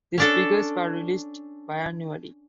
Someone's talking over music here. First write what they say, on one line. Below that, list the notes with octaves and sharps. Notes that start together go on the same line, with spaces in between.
These figures were released biannually.
C#4 D4 A4